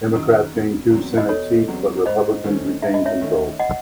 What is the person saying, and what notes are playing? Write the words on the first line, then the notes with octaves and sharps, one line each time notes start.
Democrats gained two Senate seats but Republicans retained control.
F#2 D#3
E1
E2 C#3 F#3 C4
D#5
E1 A4 C#5
E2 C#3 F#3 C4
G#2 C5 D#5
D#3 A3 C#4
G#2 E5
D#5
C#5 E5
D#3 A3 C#4
D#5 F#5